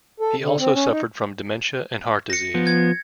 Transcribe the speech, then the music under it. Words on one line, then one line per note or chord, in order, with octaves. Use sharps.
He also suffered from dementia and heart disease.
A4
D3
C4
C#4
D#4
A#6 C#7
F3 B3
G#6